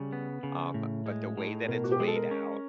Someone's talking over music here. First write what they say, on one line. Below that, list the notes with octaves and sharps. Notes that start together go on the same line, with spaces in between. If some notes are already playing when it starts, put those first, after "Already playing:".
um, but the way that it's laid out
Already playing: C#3 G3
B3
C#3
A2
G#3
A2
B2 A#4
F#4
G4
G#3 G#4
A4
A#4
C#4